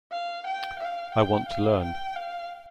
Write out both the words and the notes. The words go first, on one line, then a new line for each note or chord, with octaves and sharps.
I want to learn.
F5
G5
F5
G5
F5
G5
F5